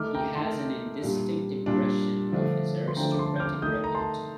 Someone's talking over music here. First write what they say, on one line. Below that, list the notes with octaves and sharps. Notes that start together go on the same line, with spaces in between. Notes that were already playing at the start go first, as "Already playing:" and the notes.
He has an indistinct impression of his aristocratic repute.
Already playing: D#3 A3 D#4 D6 F6
G5 A#5
D#3 A3 D#4 A5 C6
A#2 G3 D4
A#2 G3 D4
D3 F3 A3 D4
C6
D3 F3 A3 D4 G5 A#5
D6
A5 C6
G6
D6 F6
D#3 A3 D#4 D#6 G6
A#5
A5 C6